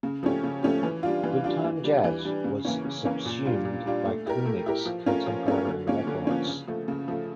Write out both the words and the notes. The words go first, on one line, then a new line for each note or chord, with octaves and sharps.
Good Time Jazz was subsumed by Koenig's Contemporary Records.
C#3
F3 A3 C#4 G4
C#3
F3 A3 C#4 G4
E3
G3 D4 F4
E3
G3 D4 F4
E3
G3 D4
E3
G3 D4
C#3
E3 A#3 C#4
C#3
E3 A#3 C#4
A#2
G3 D4 F4
A#2
G3 D4 F4
A3
E4 G4 A#4
A3
E4 G4 A#4
F3
A3 C#4 F4 A#4
F3
A3 C#4 F4 A#4
D3
F3 A#3 C#4
D3
F3 A#3 C#4
C#3
F3 A3
C#3
F3 A3